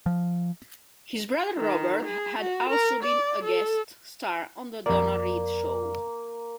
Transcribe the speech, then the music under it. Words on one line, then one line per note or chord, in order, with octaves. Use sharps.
His brother Robert had also been a guest star on "The Donna Reed Show".
F3
D#3
G#4
F#4
A#4
D5
A4
F2 A#3 D5